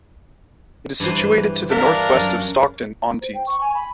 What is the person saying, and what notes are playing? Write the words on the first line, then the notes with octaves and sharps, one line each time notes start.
It is situated to the north-west of Stockton-on-Tees.
G2 E3 C5
D4 A#4 E5 F5
F#2
C5
G5
C#6
G#5
B5